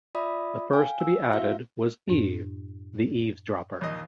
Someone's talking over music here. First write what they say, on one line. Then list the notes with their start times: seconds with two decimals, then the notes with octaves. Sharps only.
The first to be added was Eve, the eavesdropper.
0.15 F4 D5 E5 B5 D#6
0.73 F5 G5 G#5
1.00 E6
1.32 E4 F#4 E5 F5
2.08 F#2 A2 D4
3.81 A#1 D#2 D#5